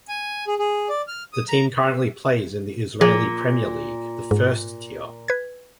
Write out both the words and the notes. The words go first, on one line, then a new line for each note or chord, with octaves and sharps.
The team currently plays in the Israeli Premier League, the first tier.
G#5
G#4
G#4
D5
F6
D#6
A#5
A#2 F3 G#4
G#2
B4 G#6